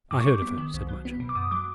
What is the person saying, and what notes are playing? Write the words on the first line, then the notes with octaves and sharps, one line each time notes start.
"I heard of her," said Matcham.
G2 D6
C#6
G3 D6
B3
D#3
C2
F#3
B3
B2
D6
F#2 D#6
F#3 D6